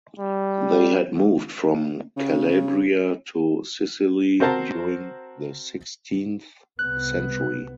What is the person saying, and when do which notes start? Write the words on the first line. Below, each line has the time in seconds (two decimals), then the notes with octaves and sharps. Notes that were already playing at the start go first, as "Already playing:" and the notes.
They had moved from Calabria to Sicily during the sixteenth century.
0.19 G3
2.17 C#3
4.40 C4 F#4 A#4 C5 A5 A#5
6.79 C2 C3 B3 F#6